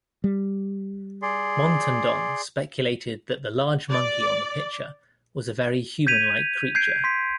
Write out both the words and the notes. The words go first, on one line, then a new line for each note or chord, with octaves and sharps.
Montandon speculated that the large monkey on the picture was a very human-like creature.
G3
G#4 D5 C6
D5
G6 G#6 B6 D#7 F7
G6 G#6 C7 D7
C6 B6